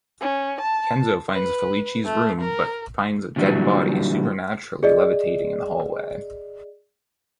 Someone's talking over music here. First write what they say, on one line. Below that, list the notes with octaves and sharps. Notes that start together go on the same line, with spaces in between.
Kenzo finds Fellicci's room but finds a dead body supernaturally levitating in the hallway.
C#4
A5
B4
A3
A#4
A#2 D3 E3 F#3 G3
G#4 D5 D#5